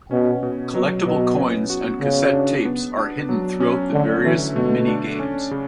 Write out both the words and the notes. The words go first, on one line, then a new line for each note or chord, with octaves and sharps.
Collectible coins and cassette tapes are hidden throughout the various minigames.
B2 C#4
B2
B2 F#3
B2 B3
C#4
F#4
C#3 B3
D4
B3
D4
F#3
C#4
D3 A3
D3 E3
B2 A3
D4
C#4
C#3